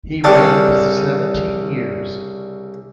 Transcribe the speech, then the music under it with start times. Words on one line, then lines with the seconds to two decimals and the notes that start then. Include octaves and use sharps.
He reigned seventeen years.
0.24 C2 C#3 D4 A4 G5